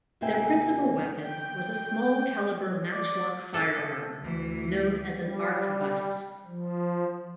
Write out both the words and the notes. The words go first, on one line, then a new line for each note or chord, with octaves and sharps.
Their principal weapon was a small calibre matchlock firearm, known as an arquebus.
D#2 C3 A#3 E5 G5 G#5
G5
D5
A4
D2 E3
G3
F3